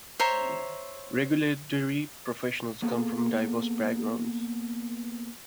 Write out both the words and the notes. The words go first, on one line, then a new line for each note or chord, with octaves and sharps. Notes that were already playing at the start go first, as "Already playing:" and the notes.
Regulatory professionals come from diverse backgrounds.
C5 C#5 E5 A#5
A#3 B3 G#4 A4 F5